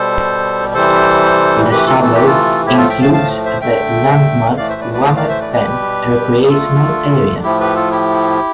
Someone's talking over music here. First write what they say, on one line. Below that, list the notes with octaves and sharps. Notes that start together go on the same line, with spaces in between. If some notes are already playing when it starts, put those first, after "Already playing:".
The suburb includes the landmark Wemmer Pan recreational area.
Already playing: B2 G3 A4 C5
C3 E3 G3 A4 C5
C3 E3 A3 G4 B4
F4 A4
A4
G4
F4 A4
A2 F3 A3 E4 G4
F4 A4
E5 G5
F5 A5
F5 A5
C5 E5
D3 A3 E5 G5
A2 E3 A3 D5 F5
C5 E5
B4 D5
B4 D5
D5 F5
D5 F5
C5 E5
B4 D5
B2 G3 G4 B4
D3 A3 F4 A4
A2 F3 A3 E4 G4
G4 B4
F4 A4
E4 G4